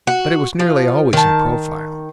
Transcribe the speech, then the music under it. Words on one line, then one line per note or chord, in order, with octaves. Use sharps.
But it was nearly always in profile.
F#4
F3
D#3 A5